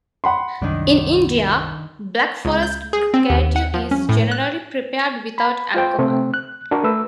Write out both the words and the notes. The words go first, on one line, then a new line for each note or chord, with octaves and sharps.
In India, Black Forest gateau is generally prepared without alcohol.
F#5 B5 C6
C2 F#2 D#3 D4
C#2
G6
G#4
C4
D#2
F#5
F3
C#4
A2
F#6
B5
F4 C5 G5
C3 A3 C4
F#6
D4 F#4 A#4
A3 B4 E6